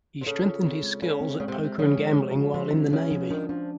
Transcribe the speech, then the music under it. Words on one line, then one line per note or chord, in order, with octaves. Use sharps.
He strengthened his skills at poker and gambling while in the Navy.
C3
C#3 A4
F4
C4
G#3
C#3 A4
C4
C#3 G#3
C3
G#3
C3
C#3 F3
G#3
G#3
F#4
C3 F3
C#4
C#3 C#4
F3
D#3 D4
F3 D4